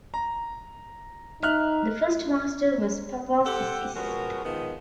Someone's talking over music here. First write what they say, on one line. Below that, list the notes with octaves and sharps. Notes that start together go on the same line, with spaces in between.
The first master was Papasisis.
A#5
D#4 E5 F6 F#6
G4 A4 F#5
F3 G#3 B3 C#4 F#4 A#4
D#3 F3 G#3 B3